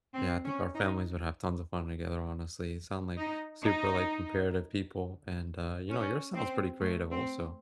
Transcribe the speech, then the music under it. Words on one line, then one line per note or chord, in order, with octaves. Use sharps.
Yeah, I think our families would have tons of fun together, honestly, sound like, super, like, comparative people, and, uh, you know, yours sounds pretty creative also.
C4
C#4
D#4
D#4
D#4
C#4
C4
A3
C4